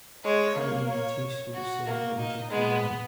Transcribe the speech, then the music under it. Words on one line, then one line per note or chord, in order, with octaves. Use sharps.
Currently only two schools serve the village of Tumon.
G#3 C#5
A#3
C#5
F#4
A#3
D#4
G#3 B3